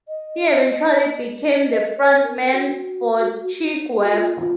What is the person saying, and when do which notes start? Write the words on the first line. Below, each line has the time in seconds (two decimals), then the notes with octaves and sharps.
He eventually became the front man for Chick Webb.
0.08 D#5
1.70 D#5
1.97 C#5
2.23 A#4
2.51 A#4
2.54 F#4
4.03 F#4
4.13 F4
4.40 F4